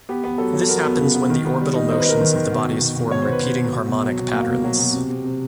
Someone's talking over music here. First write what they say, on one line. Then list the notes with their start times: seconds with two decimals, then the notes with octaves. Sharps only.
This happens when the orbital motions of the bodies form repeating harmonic patterns.
0.09 B3 G4
0.24 B3
0.38 F#3 A4
0.53 F#3
0.62 A4
0.69 B3 A#4
0.84 B3
0.99 C#3
1.14 B3
1.30 D#3
1.45 B3
1.61 G3
1.76 D#4
1.90 D#4 C5
2.00 B4
2.05 D#4 A#4
2.18 D#3 B4
2.36 D#3
2.52 B2
2.66 B2
2.81 B2
2.96 B2
3.11 B2 C#5
3.22 C5
3.27 B2 B4
3.41 B2 C5
3.58 B2
3.73 B2
3.88 B2
4.04 F#3
4.19 B2
4.33 A#3
4.48 B2
4.64 F#3
4.79 B2
4.94 C3
5.10 C3
5.24 C3